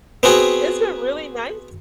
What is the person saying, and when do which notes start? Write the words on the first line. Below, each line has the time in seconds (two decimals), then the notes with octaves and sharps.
It's been really nice
0.23 B3 C4 F#4 G#4